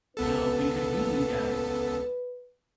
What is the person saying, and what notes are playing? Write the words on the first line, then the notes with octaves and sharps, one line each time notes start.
you know, we could use these guys
C#2 B3 A4 B4